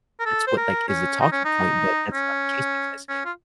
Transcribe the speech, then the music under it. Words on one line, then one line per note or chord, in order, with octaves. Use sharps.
that's what like is the talking point, but that's not the case because
A#4
A4
C5
A#4
C#4
D#4
C#4
D#4
C#4
C#4
F4